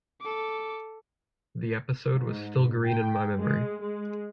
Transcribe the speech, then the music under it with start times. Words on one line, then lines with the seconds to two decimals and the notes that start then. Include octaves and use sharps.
The episode was still green in my memory.
0.21 A4 D6
2.15 G#2
2.84 G5
3.37 G#3
3.82 G#3